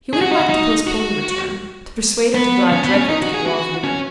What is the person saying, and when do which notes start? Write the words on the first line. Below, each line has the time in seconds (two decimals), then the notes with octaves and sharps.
He would have liked to postpone the return, to persuade her to drive directly to the Bois for dinner.
0.13 G#4
0.21 F#4
0.31 D#4
0.39 F#4
0.49 D#4
0.87 F#4
2.35 B3
2.73 C#4
2.84 B3
2.95 C#4
3.09 D#4
3.22 F#4
3.34 G#4
3.47 F#4
3.84 C#4